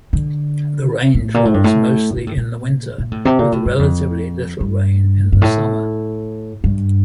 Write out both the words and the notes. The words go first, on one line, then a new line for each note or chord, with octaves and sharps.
The rain falls mostly in the winter, with relatively little rain in the summer.
D3
A2
A#2
A2
G2
A2
A#2
A2
A#2
A#2
A2
C3
A#2
A2
G2
F2
G2
G2
A2
G2